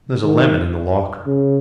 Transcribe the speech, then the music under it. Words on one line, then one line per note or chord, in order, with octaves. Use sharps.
There's a lemon in the locker.
D#3
C#3